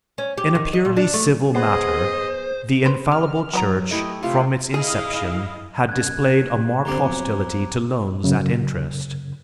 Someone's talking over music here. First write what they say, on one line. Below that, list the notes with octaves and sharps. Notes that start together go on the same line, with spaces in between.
In a purely civil matter, the infallible Church from its inception had displayed a marked hostility to loans at interest.
C#4
G4
D#3
D#5
A#2
D4
A3
B3 G#4 C5 D#5
C#4 B4 C5
C#4 F6
F#3 B3 D5 A#5
A3 E4 G4 D#5
C3 A3 E4 F4 F5
E4 G#4 D#5 F5
F#2 B2 F#6 G#6
F#2 D3 G3 C4 A#5 D6
F2 F#3 B3
F#2 C#3